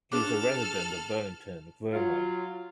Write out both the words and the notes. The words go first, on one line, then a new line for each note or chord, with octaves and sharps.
He is a resident of Burlington, Vermont.
D4 G#4 A4 D6 F6
F#3 F4